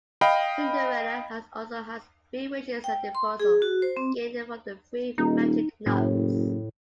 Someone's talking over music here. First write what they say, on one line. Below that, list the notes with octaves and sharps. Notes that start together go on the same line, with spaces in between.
Cinderella also has three wishes at her disposal, gained from three magic nuts.
D#5 F5 G5 B5
G5
C6
G#4
F#4
C5
C4
D#1 D#4
F#1 A2